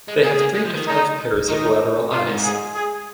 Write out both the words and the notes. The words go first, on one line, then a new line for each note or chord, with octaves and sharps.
They have three to five pairs of lateral eyes.
G#3
A#3 G#4
A#3
G#3
F3
D#3
D#4
D#3 D#4
C3 F4
G#2
G#4
G#4